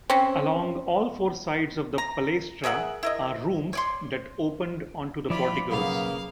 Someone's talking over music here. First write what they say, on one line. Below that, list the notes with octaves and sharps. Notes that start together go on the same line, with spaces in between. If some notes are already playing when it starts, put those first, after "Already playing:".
Along all four sides of the palaestra are rooms that opened onto the porticoes.
C4 C#4
A#5
G#4 A#4 E5 F#5
E4 A#4 D#5
C#5 D5 C6
F3 E4 F4 D5 B5
B1 C#3 A#3 B3 F5